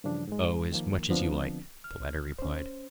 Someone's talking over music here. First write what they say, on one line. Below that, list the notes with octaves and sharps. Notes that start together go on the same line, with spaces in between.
"Oh, as much as you like," the latter replied.
G2 C#3 E3 F3 D4
G#2 G#3
D#3 F3 A#3
D3 F3 B3 C4 D4
F6
C#4 C5